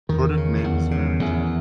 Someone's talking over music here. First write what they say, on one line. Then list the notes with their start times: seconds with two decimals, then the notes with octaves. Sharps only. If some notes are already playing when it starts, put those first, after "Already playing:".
Product name is Veregen.
0.09 E2 D#3
0.37 C#3
0.64 E2
0.91 C#3
1.20 E2